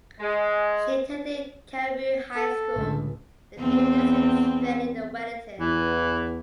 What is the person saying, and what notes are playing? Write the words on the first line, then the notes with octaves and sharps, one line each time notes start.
She attended Karamu High School, then did nursing training in Wellington.
G#3
A4
C#2 A2 D3 G#3
E2 C4
E2 E3